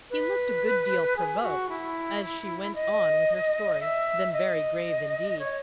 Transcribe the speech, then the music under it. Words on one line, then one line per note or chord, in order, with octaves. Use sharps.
He looked a good deal provoked as she went on with her story; then very grave indeed.
B4
G#4
F#4
E4
D#5
E5
D#5
C#5